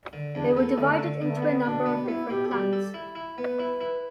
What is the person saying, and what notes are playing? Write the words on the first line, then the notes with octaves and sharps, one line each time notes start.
They were divided into a number of different clans.
D3
E2 D4
B4
B3 A4
A4
D3 A3
D3
D3 B3
A3
B3
D3
B2 D4
B3
G4
B3 E4
B2 G4
A4
G3 G4
A4
E4
E4
B3 B4
E4
E4